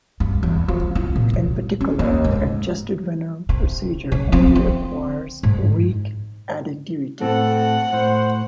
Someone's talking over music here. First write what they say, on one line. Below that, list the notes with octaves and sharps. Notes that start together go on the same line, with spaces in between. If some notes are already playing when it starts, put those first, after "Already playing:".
In particular the adjusted winner procedure only requires weak additivity.
G2
E2
F3
E4
A#2
F#3
C#4
D#2
G#2
C3
C#3
F3 C4
C4
G#2
A2 C4 A4 F#5
A2 C5